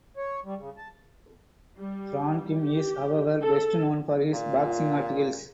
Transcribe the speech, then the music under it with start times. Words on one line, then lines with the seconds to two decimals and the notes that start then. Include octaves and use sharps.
Frauenheim is, however, best known for his boxing articles.
0.17 C#5
0.45 G3
0.58 C#3
0.77 A5
1.79 G3
2.63 G4
3.40 A4
4.33 A#2